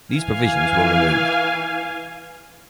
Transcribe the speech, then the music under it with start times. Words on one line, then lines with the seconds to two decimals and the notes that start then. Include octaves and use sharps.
These provisions were removed.
0.14 E3 F5 G#5